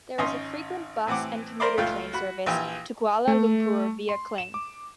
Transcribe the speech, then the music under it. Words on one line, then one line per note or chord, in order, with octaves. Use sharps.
There is a frequent bus and commuter train service to Kuala Lumpur via Klang.
G#1 C#4 D#4 D#5 C6
A2 E3 C4 F#5 D6
A#4 C5 D5 B5 C6 D6
C#2 A3 F4 G5
F#4 B5
A#1 E3 G4
A3
C6
E7
D6